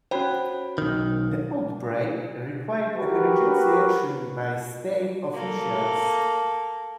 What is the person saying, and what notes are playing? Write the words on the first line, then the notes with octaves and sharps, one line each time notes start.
The outbreak required emergency action by state officials.
C#4 F#4 C5 C#5 G5 B5
B1 D#3
F#4 G4 A#4 B4
A#3 A4